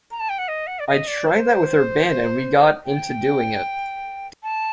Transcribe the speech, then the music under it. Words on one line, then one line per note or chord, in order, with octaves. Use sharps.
I tried that with our band and we got into doing it.
A#5
A5
G5
F#5
D#5
F#5
D5
D#5
D5
C5
G5
A5